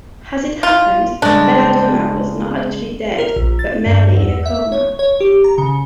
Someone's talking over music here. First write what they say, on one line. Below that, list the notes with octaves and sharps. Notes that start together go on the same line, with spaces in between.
As it happened, Bella Donna was not actually dead, but merely in a coma.
F4
C#3 G#3 D4
A#4
A#1
A6
G2
E2
E2
E5
C#5
C#5
G4
A#5
C#3